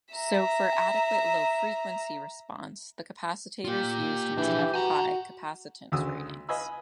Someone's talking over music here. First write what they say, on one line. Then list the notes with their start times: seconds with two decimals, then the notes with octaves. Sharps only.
So for adequate low frequency response, the capacitors used must have high capacitance ratings.
0.14 E5 A#5
3.65 A#3 F4 G4
4.38 E3 D4 G#4
4.74 F#4 G#5 A#5
5.92 D2 C#3 F#4 D#6 E6
6.49 B4 D#5 F5 G#5 B5 E6